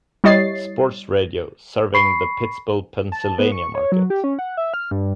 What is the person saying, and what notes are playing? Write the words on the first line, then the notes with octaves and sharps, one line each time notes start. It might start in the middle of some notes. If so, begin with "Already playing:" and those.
Sports Radio serving the Pittsburgh, Pennsylvania market.
G3 E4 C#5 D#5 A6 C7
B5 C#6 C7
A5
B3
C#6
C#5
F#3
G4
C#4
F#5
E5
F6
G2